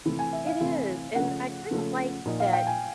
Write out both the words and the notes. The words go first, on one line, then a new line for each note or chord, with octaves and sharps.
It is. And, I kind of like that,
C3 E3 A3 C4 E4
G#5
E5
F5
C3 E3 A3 C4 E4
C#3 F3 A3 C#4 F#5
C#3 F3 A3 C#4
A#2 F3 A#3 D#4
F5
G5
G#5